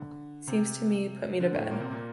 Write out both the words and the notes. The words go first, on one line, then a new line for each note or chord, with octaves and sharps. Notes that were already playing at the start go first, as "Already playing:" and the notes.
Seems to me you put me to bed.
Already playing: D3
C3
D3
A2 A3
A#2 A#3
C3 C4
A#2 A#3